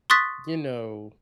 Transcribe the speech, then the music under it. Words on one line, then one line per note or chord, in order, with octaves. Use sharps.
you know
C6 C#6 D#6 F#6 A6 B6